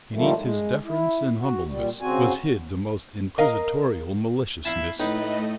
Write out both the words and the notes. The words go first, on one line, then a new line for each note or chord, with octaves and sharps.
Beneath his deference and humbleness was hid the most inquisitorial maliciousness.
A#2 D#3 F3 G3 A3
G#3
E4
F#4
A#2 G3
C#3 C4 F#4 G#5
A#4 D#5 F5
E4 E5 F5 A5
A2 A3 D#4 B4 D#5